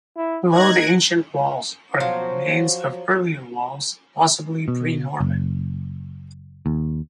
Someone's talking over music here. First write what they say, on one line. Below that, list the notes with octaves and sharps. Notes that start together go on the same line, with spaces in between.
Below the ancient walls are the remains of earlier walls possibly pre Norman.
E4
D#4 F#6 G#6 A#6
F3 F#3 C5
B2
F#1
D#2